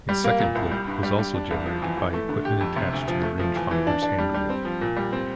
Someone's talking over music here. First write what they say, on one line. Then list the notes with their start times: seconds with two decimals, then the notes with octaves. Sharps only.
A second blip was also generated by equipment attached to the rangefinder's handwheel.
0.09 G3
0.24 A#3
0.39 A#2
0.55 C2
0.71 G3
0.87 G2
1.03 G3
1.19 G3
1.34 D4
1.51 C2
1.66 F3
1.82 E2
1.97 E3
2.14 A3
2.29 D3
2.45 G4
2.61 F2
2.76 C3
2.93 D2
3.08 F3
3.23 A3
3.39 F3
3.56 E2
3.71 E3
3.87 D4
4.03 D4
4.19 G3
4.34 G3
4.50 C4
4.65 F3
4.81 A#2
4.97 G3
5.13 C4